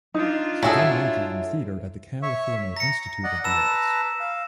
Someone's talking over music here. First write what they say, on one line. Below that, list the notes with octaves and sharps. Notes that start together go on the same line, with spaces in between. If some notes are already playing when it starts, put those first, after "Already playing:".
She then majored in theatre at the California Institute of the Arts.
D4 D#4 F4
F#3 E4 G#4 A4 E5
C#5 E5 C#6
A#5 A#6 C#7
D5 D#5 F#5
B4 A5 A#5 E6 E7
F5